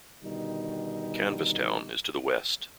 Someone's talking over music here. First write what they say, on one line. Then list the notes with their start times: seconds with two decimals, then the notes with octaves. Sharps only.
Canvastown is to the west.
0.23 B2 D3 D#3 G3 D#4